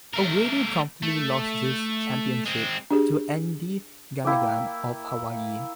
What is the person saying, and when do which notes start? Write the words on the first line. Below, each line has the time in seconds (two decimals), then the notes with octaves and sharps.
O'Grady promptly lost this "championship" to Andy Ganigan of Hawaii.
0.14 A3 A#4
1.03 A3
2.46 G#3 C4
2.91 D4 G4 G#4
4.25 A#3 E4 G5 D6